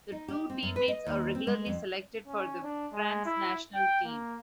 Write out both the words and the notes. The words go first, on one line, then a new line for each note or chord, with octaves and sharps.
The two teammates are regularly selected for the France national team.
D#4
G4
C4
F#2
B4
D#5
D#2
C4
G#3
F2
C#4
D4
G#3
E4
G5
A#3